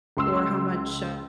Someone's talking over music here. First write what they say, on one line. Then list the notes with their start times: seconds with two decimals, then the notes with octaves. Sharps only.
or how much,
0.17 C#2 C6 E6